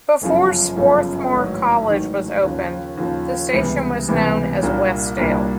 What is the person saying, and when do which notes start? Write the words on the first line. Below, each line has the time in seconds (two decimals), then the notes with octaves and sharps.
Before Swarthmore College was opened, the station was known as Westdale.
0.21 G1 F#2 C#3 F3
0.76 G1 F#2 C#3 F3
1.32 A1 G#2 D#3 F#3
1.88 A1 G#2 D#3 F#3
2.43 D#2 C#3 F3
2.98 D#2 C#3 F3
3.52 C#2 C3 E3 G3 B3
4.08 C#2 C3 E3 G3 B3
4.62 C2 A#2 G3 A#3 D4
5.17 C2 A#2 G3 A#3 D4